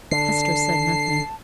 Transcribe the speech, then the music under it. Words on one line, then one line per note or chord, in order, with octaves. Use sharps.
Hester said nothing.
D3 A5 C7